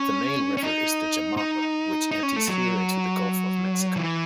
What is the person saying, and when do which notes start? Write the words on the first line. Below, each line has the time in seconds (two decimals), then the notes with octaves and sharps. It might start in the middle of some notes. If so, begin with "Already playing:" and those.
The main river is the Jamapa, which empties here into the Gulf of Mexico.
Already playing: C#4
0.57 C#4
0.62 D#4
1.37 D#4
2.11 D#4
2.23 C#4
2.36 A3
2.48 F#3
3.96 E3